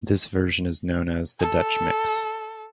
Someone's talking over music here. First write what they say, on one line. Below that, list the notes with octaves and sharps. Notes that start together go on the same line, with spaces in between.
This version is known as the 'Dutch Mix.
A4